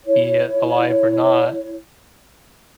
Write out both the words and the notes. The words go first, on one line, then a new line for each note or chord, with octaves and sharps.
be it alive or not,
E4 C#5